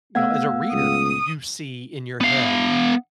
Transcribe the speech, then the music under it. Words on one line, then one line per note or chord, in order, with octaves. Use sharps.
you know, as a reader, you see in your head
A3 B3 F5 F#5 E6 G#6
C#2 D#6
B3 F5